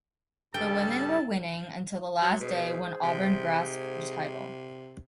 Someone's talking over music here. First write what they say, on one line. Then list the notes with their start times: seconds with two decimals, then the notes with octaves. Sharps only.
The women were winning until the last day when Auburn grasped the title.
0.54 G2 C#3 G3 A4 G5 A5
2.22 F#3
2.40 G#2 B2 G#4 C5
3.03 C3